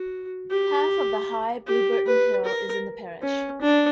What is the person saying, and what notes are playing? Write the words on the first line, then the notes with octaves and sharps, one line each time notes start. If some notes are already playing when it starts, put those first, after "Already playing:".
Half of the high Blewburton Hill is in the parish.
Already playing: F#4
G4
G4
B4
A#4
C#4
D4